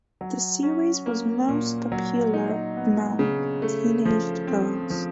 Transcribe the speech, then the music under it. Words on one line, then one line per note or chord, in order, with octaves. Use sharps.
The series was most popular among teenaged girls.
F#3
C#4
A#3
A#2
F#3
D#4
B3
C#3
A3
F3
C4
F3